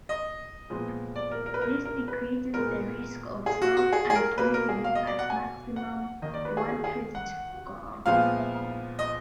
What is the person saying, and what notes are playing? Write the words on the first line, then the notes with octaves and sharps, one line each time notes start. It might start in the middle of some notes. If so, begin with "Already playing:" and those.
This decreases the risk of self-unclipping: at maximum, one twist goes off.
D#5
A#2 F3 G#3 B3
D5
A#4
A#4
B4
A#4
A#4
B4
A#2 G#3 B3 A#4
G#4
F#4
F#4
G#4
G#4
A#4
B2 A#3 B4
A#4
G#4
F5
D#5
D5
F#5
G#5
F#5
D#3 A#3 D#5
D5
B4
G#4
G#4
G#4
F#5
A#2 F3 G#3 B3 F5
D#5